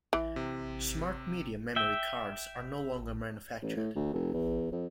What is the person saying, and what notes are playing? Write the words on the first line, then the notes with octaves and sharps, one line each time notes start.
SmartMedia memory cards are no longer manufactured.
E3
C3
E5 G5
A1
A2
D2
F1
E2
F2